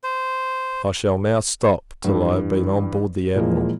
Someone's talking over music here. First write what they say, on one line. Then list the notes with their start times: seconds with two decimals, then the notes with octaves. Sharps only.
I shall now stop, till I have been on board the Admiral.
0.04 C5
2.04 G2 E3 G3
3.36 A#2 E3 F3 G#3 A#3